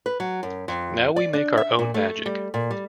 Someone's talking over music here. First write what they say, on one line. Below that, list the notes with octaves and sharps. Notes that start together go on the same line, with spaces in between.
Now we make our own magic.
B4
F#3
F#2
F2
D5
D4
E5
A#2
A3
G3
A#2
G3